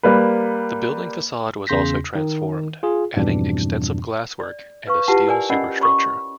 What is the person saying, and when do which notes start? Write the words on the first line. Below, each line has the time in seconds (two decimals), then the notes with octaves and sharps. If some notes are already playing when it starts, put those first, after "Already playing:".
The building facade was also transformed, adding extensive glasswork and a steel superstructure.
0.03 G3 A#3 B4
1.67 E2 C#3 C6 G6 A#6 B6
2.15 D#3
2.83 F4 G#4
3.16 F2 G#2 B2 E3 G3 D4
4.40 D5
4.87 B4 F5 C#6
5.08 E4 F4 G4 B4 F#5 A5
5.27 A#4 D5 G#5
5.50 C#4 A#4 D5 D#5 F#5 B5
5.80 C#5 B5 C#6